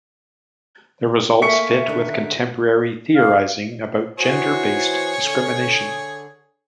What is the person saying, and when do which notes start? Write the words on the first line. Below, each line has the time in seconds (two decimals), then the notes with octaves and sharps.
The results fit with contemporary theorizing about gender-based discrimination.
1.42 A#3 G#4 A4 E5 C#6 C#7
1.88 D3 D#3 D4
3.15 F5
4.19 E3 F#4 G#4 C5 C#5
5.18 D3